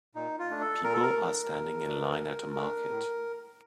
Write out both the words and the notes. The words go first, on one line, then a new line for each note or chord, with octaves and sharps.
People are standing in line at a market.
A#2 D#4
F4
A3 D4
A4
A#2 A#4
A4
A#4
A3 D4
A#2
A3 D4
A#2
A3 D4
A2